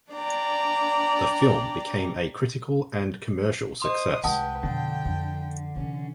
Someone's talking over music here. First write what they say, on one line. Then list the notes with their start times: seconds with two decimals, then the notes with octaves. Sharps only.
The film became a critical and commercial success.
0.11 D4 D5 G5 A#5
3.82 C5 D#5 C6 D#6
4.24 C2 G#3 B4 F#5 G5 A5 D#6
4.63 F2 B2 D3 G5
5.05 F2
5.76 C3 E3 C#4